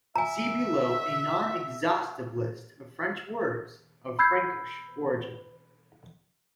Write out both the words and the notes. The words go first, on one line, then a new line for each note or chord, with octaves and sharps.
See below a non-exhaustive list of French words of Frankish origin.
E5 G#5 A#5
B5 E6 G6 G#6 C7